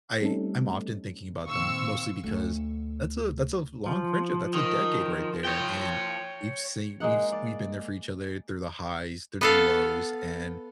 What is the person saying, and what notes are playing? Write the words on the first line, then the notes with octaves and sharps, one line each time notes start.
I I'm often thinking about them mostly because that's a that's a long friendship, that's a decade right there, and we've seen we've s we've been there for each other through the highs, through the lows, and
G3 A3 C4 C#4 D#4 A4
A#2 D#3 C4 F5 C#6 E6
D2 E3
F3
D#3
C#5 G5
G#3 A#3 D#4 F#5
D5
B3 A4 F5